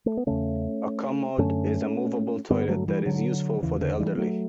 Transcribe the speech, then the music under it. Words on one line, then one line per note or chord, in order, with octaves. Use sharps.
A commode is a movable toilet that is useful for the elderly.
A3
B3
E2 C#3 A3 C#4
F#2 D3 A3 C#4
G2 D3 G3 B3
F#3 A3
E3 G3
D3 F#3
E2 C#3 E3
D3
E3 G3
F#3 A3